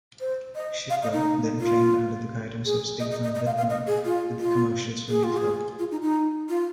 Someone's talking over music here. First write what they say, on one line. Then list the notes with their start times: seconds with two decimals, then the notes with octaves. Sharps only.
Schipper then trained under the guidance of Stephan Widmer with the Commercial Swimming Club.
0.20 C5
0.55 D#5
0.90 F5
1.02 D#5
1.13 D#4
1.60 F4
2.65 G#4
3.00 D#5
3.11 D#5
3.23 D#5
3.35 D#5
3.46 F5
3.57 F5
3.70 D#5
3.87 G#4
4.05 F4
4.40 F4
5.09 G#4
5.24 F4
5.37 G#4
5.79 F4
5.91 D#4
6.02 D#4
6.49 F4